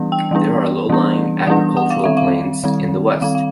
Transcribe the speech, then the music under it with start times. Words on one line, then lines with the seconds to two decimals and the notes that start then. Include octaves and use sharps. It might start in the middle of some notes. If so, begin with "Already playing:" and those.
There are low-lying agricultural plains in the west.
Already playing: E3 G3 B3 D4
0.12 G5
0.31 E3 G3 B3 D4
0.89 E3 G3 B3 D4
1.47 E3 G3 B3 D4 F#5
1.77 F#5
1.90 F5
2.04 D#3 G3 C4 E5
2.17 F5
2.64 D#3 G3 C4
3.21 D#3 G3 C4 F5
3.35 F5